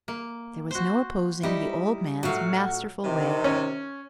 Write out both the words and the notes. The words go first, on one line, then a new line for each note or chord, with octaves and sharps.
There was no opposing the old man's masterful way.
A#3
F#4 C5
G3 D#4 E4
A2 F#3 F#4 F5 F#5
C3 D#3
C#4